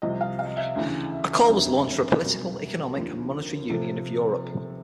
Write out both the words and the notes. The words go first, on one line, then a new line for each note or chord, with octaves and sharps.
A call was launched for a political, economic and monetary Union of Europe.
C2 C3 F3 D#5
F5
F5
E5
D2 C#3 E3
F1 D#2 D3 F#3
C2 B2 F#3 A#4
D#2 D3 F3
C3 F3 A4